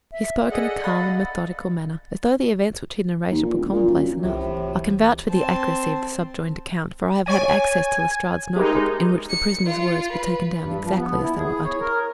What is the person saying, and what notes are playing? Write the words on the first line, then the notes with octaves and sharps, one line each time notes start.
He spoke in a calm and methodical manner, as though the events which he narrated were commonplace enough. I can vouch for the accuracy of the subjoined account, for I have had access to Lestrade's note-book, in which the prisoner's words were taken down exactly as they were uttered.
E5
G#4 A4 D5 D#5 F#5
F5 B5 A6
D#2
A#2
E1
A#2
F#2
C2 A2 C3 E3
C4 A5
C#5 G#5 A6 D7
G#3 D#4 G4 A#4
C#7
F4
B4
G2
F3
B3
E4
G#4
C#5
A#4